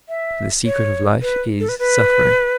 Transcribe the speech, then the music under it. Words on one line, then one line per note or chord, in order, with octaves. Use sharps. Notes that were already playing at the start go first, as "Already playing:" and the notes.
For the secret of life is suffering.
E5
C#5
B4
A4
B4
B4